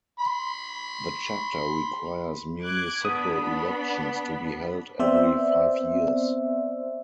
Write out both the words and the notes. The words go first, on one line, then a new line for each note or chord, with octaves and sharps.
The chapter requires municipal elections to be held every five years.
B5 C6
D6 F#6 G#6
B3 D4 B5 D#6
B3 C4 C5 D5 E5